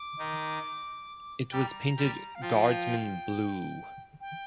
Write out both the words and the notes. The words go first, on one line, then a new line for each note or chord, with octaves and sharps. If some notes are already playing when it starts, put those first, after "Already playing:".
It was painted Guardsman Blue.
Already playing: D6
D#3 D#4
G3 G4 A#5
G3 G4
F5
F3 F4 G5
G5